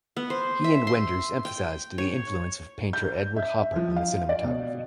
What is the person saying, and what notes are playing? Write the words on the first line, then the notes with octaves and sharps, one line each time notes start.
He and Wenders emphasized the influence of painter Edward Hopper on the cinematography.
B3
C5
E5
C6
G5
C#5
G6
E5
F3
F5
D5
B2